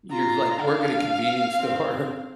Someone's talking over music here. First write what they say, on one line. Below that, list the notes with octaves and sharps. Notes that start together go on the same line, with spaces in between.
you, like, work in a convenience store,
F4 A#5
D4 F5
C4